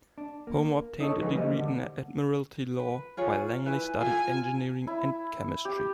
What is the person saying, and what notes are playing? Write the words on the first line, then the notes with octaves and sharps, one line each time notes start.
Homer obtained a degree in admiralty law, while Langley studied engineering and chemistry.
D4
A#3
D#4 A4 C#5
E3 F#3 G#3 D#4 B4 C#5
G3 A3 A#3 C5 D#5
D3
B4
F4 G#4 C#5
E4 B4 G#5
F4 A4 G5 G#5
E4
G4